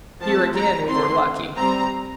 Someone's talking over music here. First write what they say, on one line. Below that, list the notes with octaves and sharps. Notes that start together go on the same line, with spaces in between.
Here, again, we were lucky.
F3 A3 C4 A5
A#5
D3 A3 C4 C6
G3 C4 A#5